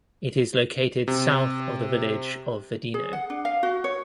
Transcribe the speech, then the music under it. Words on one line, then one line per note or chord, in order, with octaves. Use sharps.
It is located south of the village of Vedeno.
C3
G#4
F#5
D4
F5
F#4
C#5